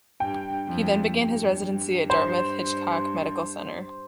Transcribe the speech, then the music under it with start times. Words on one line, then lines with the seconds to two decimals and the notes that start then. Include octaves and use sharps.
He then began his residency at Dartmouth Hitchcock Medical Center.
0.20 G2 G5
0.68 F2
1.16 G2
2.10 C5